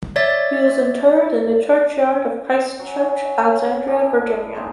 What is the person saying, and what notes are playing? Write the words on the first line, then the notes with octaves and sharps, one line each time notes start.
He was interred in the churchyard of Christ Church, Alexandria, Virginia.
C#5 D5 E5 A6
F#3 C#4 F#4
C#4
B3 D4
E4 B4
B3
G#3 C4 D4 D#4